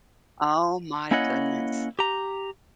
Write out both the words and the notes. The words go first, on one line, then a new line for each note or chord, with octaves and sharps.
Oh my goodness.
A#3 C#4 E4 C#5 D#5 F#5
G4 A#5